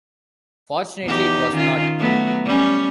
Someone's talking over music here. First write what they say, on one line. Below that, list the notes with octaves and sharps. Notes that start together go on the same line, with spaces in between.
Fortunately, it was not.
E2 D#4 G4
D#3 C#4 F4
F#3 A3 B3
G3 C#4